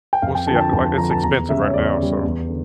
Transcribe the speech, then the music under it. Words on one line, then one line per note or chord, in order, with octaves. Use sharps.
we'll see, I like, it's expensive right now, so
G5
F2 F5
G5
D3 F3 A5
G5
A5
F2 A5
A5
D3 F3 A#5
A5
E2 A#5
C#3 G3 E5
C#5
E2 D5
C#3 G3
E2
D3